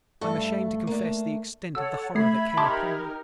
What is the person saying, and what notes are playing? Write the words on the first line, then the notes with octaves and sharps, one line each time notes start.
I am ashamed to confess the extent of the horror that came upon me.
G2 A3 A4
A#3 D4
A4 C#5 F#5 E6
A3 E5 B5 G#6 C7
D#4 G4 A#4 A5 C6 D6